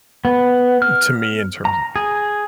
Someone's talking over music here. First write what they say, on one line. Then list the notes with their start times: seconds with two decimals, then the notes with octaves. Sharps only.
to me in terms of
0.25 B3
0.82 F6
1.65 A#5
1.96 G#4